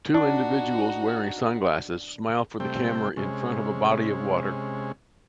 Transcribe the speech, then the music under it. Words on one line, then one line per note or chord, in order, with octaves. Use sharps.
Two individuals wearing sunglasses smile for the camera in front of a body of water.
D4 D#4 F#4
C3 G3 A3 C4 G5
C3 G#3 C#4